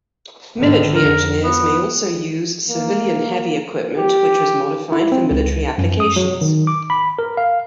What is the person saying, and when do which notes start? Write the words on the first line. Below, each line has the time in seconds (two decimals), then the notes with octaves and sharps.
Military engineers may also use civilian heavy equipment which was modified for military applications.
0.58 G#2 D3 D#3
0.95 F2 A#4
1.44 B3
2.68 A#3
3.96 G4
4.92 E4
5.12 C4
5.31 C#2
5.78 F#2
6.00 D#6
6.16 F#3
6.41 D#3
6.67 D6
6.90 B5
7.19 A#4
7.37 F5